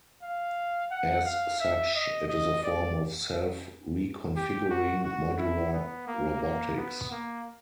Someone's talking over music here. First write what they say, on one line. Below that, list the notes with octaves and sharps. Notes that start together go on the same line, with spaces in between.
As such, it is a form of self-reconfiguring modular robotics.
F5
F#5
F5
E5
D#5
D#5
D5
G4
F#4
F#4
E4
B3
A#3
A#3
B3
A#3